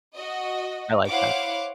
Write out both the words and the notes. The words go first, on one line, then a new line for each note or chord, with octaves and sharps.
I like that.
F#4 D#5
E4 C5 C#5 F5 F#5 D6